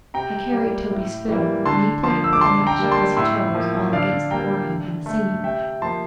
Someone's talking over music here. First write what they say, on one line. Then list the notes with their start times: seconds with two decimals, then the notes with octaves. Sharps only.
I carried Toby's fiddle, and he played pretty much as he chose all against the organ and the singing.
0.14 C3 G5 A#5
0.52 G3 A#3
0.90 A2
1.28 E3 G3 A#3
1.66 D3 A5 C6
2.03 F3 A#3 A5 C6
2.24 E6
2.33 D6
2.41 D3 A5 C6
2.67 G5 A#5
2.79 G3 A#3
2.91 A5 C6
3.17 A2 C6 E6
3.55 F3 A#3
3.93 D3 D5 F5
4.31 G3 A#3 G5 A#5
4.68 D3
5.06 A3
5.44 C3 E5 G5
5.82 F3 A#3 A5 C6